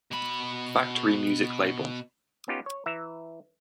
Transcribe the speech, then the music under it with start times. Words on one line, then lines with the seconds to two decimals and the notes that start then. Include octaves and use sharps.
Factory music label.
0.11 B2 B5
2.48 B3 C#4 D#4 F4 G4
2.66 C#5
2.86 E3 E5 A#5